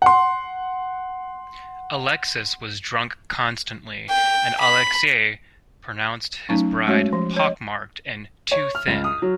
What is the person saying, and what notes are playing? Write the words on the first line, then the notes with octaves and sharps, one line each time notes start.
Alexis was drunk constantly and Alexei pronounced his bride "pock-marked" and "too thin".
F#5 C6
G5
B5
F#3 A3 C#4 D#4
G#3 A3 C#4 F#4 C#5
F3
C#5 D#5
C#5
F6
C#2
D#6
F#3